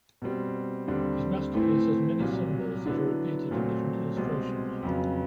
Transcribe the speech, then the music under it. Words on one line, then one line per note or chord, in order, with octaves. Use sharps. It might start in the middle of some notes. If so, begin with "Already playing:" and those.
His masterpiece has many symbols that are repeated in different illustrations.
B2 G3 C4
D#2 D3 G3 C4
A2 E3 A3 C4 E4
C2 A#2 F#3
D3 F#3 B3 E4
A#2 F#3 A3 C4
C2 B2 G#3 C4
F2 C#3 F#3 B3